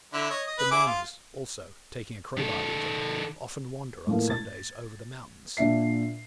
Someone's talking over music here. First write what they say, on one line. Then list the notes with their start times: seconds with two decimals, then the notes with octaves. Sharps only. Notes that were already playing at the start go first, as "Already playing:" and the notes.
The miners, also, taking a crowbar with them, often wander on Sundays over the mountains.
0.13 D3 E4
0.30 C#5 D#5
0.47 D#5
0.58 B4
0.71 E4 G#4 D6
0.86 F4
2.37 D#3 A4
4.07 A2 E3 F3 A#3
4.28 G#6 A6
5.57 A#2 D4 E5 C7